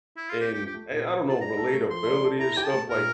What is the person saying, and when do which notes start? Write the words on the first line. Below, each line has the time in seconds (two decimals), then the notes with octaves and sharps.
in a I don't know, relatability and stuff, like,
0.17 E4
0.29 F4
0.40 C4 G4
0.54 G4
0.58 F4
0.66 G4
0.74 A3
0.91 A#2
1.07 C4
1.24 F4
1.29 A5
1.40 D4 A#5
1.57 A4
1.74 A3
1.90 F3 C6
2.06 D4
2.23 A4
2.39 E4 A#5
2.56 G4 G5
2.65 A5
2.73 A3
2.89 A#2 A#4